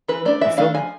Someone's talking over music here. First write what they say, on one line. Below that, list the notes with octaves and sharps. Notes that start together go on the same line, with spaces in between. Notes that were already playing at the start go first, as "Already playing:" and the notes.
You feel me?
E3 B4
A3 D4 D5
E3 E5
A3 D4 F5
F3 G#5